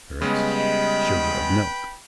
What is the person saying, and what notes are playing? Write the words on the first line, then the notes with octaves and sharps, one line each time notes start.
Spirits. Sugar of milk.
C#3 G3 G#3 B3 B4 D#5 G5 B5